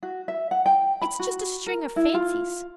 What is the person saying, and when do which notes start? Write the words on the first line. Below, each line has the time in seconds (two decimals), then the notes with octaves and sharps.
It's just a string of fancies.
0.03 F#4
0.28 E5
0.51 F#5
0.66 G5
1.02 B5
1.19 F#4
1.66 A#4
1.96 E4
2.14 F4